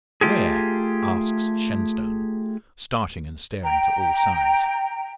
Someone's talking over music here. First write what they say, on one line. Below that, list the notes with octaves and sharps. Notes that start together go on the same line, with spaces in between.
"Where?" asks Shenstone, starting and staring to all sides.
A3 F4 G4 G#4
G5 A#5